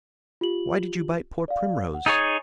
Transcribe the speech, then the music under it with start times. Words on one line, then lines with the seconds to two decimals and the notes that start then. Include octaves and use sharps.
"Why did you bite poor Primrose?"
0.41 F4 G4 F#7
1.48 D5 F5
1.94 F#5
2.06 D#4 G#4 C#5 A6